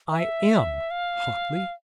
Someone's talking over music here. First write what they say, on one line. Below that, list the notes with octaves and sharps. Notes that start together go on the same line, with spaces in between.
"I am!" hotly.
E5
F5